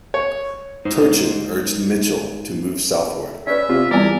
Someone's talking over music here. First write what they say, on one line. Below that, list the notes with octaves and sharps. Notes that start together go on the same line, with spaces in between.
Turchin urged Mitchel to move southward.
C#5
G#2 D#4 C5
C#4 B4 D5 E5
C3 C4 F4
E2 G3 A#4 D5 G#5